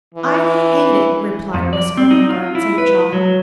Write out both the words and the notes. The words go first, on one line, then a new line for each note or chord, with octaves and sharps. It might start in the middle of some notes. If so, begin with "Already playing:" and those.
"I hate it!" replied Miss Ermengarde St. John.
E3
F2
D5
C4
D#4
F4
E4
B4
F#3